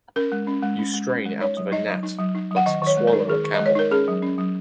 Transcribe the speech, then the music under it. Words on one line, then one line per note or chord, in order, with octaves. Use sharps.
You strain out a gnat but swallow a camel!
C#4 A#4
G#3
C#4
G#3
C#4
G#3
C#4
G#3
D#4 C#5
F#3
D#4 D#5
F#3
D#4
F#3
D#4
F#3
F#5
D#3 D#5
D#3 C#5
G#3
A#4
D#4
D#3 G#4
D#3
D#5
G#3
C#5
D#4 A#4
C#4 G#4
F#3
C#4
F#3